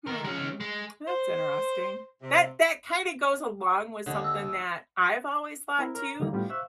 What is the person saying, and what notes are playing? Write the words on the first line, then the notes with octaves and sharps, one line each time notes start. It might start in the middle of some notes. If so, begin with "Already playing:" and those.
Mm, that's interesting, that that kinda goes along with something that I've always thought too,
D#3 A#4
G#3 C#4
G#3
C5
C3
D#2 D3
E6
C4 E4 A#4
A#4 C#5 F6
D#2 D3 G3 A#3
A2 G3 B3 D4 F4 G4
C5 E5 F5 C#6 E6 F#6